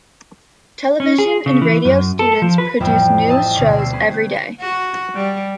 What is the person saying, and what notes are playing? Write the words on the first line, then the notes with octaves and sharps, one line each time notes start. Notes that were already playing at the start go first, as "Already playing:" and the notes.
Television and radio students produce news shows every day.
C#4
G#4
C#3
E3
F#2
A4
F3
B4
A1 F2 G3 C5 E5 G5
D#5 G5 A5 E6
D2 B2 C#5 D6
E6 C7
C#4 B4 C5
F#4
G3